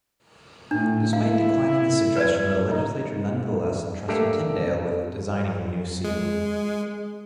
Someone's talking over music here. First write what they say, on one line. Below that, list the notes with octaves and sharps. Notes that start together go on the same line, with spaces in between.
Despite declining his suggestion, the legislature nonetheless entrusted Tyndale with designing the new seal.
A2 D4
E4 F5
B4 D5
D#4
A3 A#3 D4 G4 A4
G#3